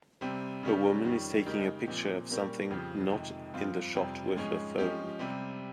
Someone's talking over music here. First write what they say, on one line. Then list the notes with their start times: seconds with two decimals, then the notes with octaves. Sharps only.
A woman is taking a picture of something not in the shot with her phone.
0.21 C3 G3 C4
0.63 C#3 G3 C#4 G4
1.04 F2 D#3 G3 C#4
1.46 C#3 G#3 D#4 G4 A#4
1.88 A#2 F3 C4
2.29 A#2 G3 A#3 C#4 G4
2.70 F2 C#3 F3 C4 G4
3.12 F2 C3 D#3 G#3
3.54 G2 F3 C4 F4
3.95 F2 C3 G3 C4
4.37 G#2 F3 G#3 C#4 G#4
4.78 F3 G#3 C#4 G4
5.19 C3 G3 C4